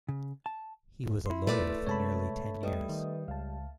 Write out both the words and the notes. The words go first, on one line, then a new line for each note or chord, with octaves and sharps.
He was a lawyer for nearly ten years.
C#3
A5
E4 C6
A3 B4 D5
C3 G#3 C#5 A5 B5
G3 B4 D#5 D#6
D#3
C#2 F5 A5